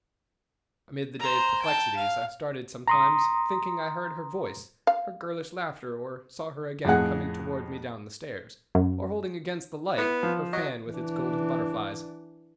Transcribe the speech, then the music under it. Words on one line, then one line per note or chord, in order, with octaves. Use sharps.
Amid the day’s perplexities I started sometimes, thinking I heard her voice, her girlish laughter, or saw her again coming toward me down the stairs, or holding against the light her fan with its golden butterflies.
C5 A#5
G5 A5
F5
A#5 C6 D#6
F5
F2 A2 G#4 F#5
F#2
B3 E4
F3
F#3 D#5
E3 D4